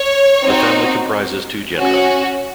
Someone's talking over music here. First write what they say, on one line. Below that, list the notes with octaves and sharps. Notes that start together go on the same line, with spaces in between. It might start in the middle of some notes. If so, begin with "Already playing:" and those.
The family comprises two genera.
Already playing: C#5
C4 D#4 F#4
C#4 F#4